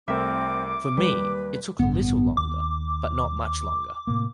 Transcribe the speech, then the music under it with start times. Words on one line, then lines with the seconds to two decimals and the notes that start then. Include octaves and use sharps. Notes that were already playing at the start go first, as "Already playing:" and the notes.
For me, it took a little longer, but not much longer.
0.08 C2 A3 C4 A#4 E5 D6
0.97 D#2 G3 B4
1.79 A1 G2 D3 B3
2.37 D#2 D6
4.07 A2 C3 A#3